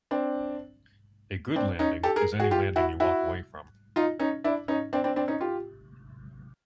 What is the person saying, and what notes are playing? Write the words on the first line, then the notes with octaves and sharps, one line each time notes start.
A good landing is any landing you walk away from.
C4 D4
C4 D4
C#4 D#4
G4 A4
G#4 A#4
F#4 G#4
F4 G4
E4 F#4
E4 F#4
D#4 F4
C#4 D#4
D4 E4
C#4 D#4
C4 D4
C4 D4
C4 D4
C#4 D#4
F4 G4